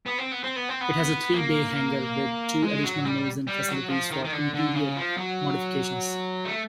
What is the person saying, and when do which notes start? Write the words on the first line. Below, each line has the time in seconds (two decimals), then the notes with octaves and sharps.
It has a three-bay hangar with two additional 'Nose In' facilities for interior modifications.
0.06 B3
0.18 C4
0.32 B3
0.44 C4
0.56 B3
0.69 C4
0.81 B3
1.34 A#3
2.62 G#3
2.84 F#3
3.05 G3
3.47 G3
3.68 F#3
3.89 F3
4.11 D#3
4.24 D#3
4.32 D3
4.54 D3
4.75 C#3
4.96 F3
5.17 F#3
6.45 A3